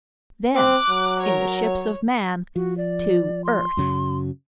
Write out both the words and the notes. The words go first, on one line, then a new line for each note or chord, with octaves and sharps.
Then--in the ships of man--to Earth!
C4 D6 F#6
F#3
A#4 C#5
C#5
F3 F#4
D5
C6
F#2 C#3 F#3